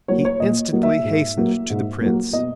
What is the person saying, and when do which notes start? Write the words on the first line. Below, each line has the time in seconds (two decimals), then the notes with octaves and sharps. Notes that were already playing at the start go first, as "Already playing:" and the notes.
He instantly hastened to the Prince.
0.08 F#3 A#3 C#5
0.25 C#5
0.40 A#2 D#5
0.73 F#3 A#3
0.83 E5
1.04 G#2
1.37 F#3 A#3
1.70 G#2
2.01 F#3 A#3
2.33 B2 D#5